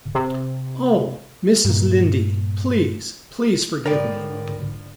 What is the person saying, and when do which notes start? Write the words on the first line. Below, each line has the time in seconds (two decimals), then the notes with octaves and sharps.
Oh, Mrs. Lynde, please, please, forgive me.
0.15 C3
1.65 G2 A#2
3.86 G#2 D3 F3 A#4 B4 C#5 D5 G5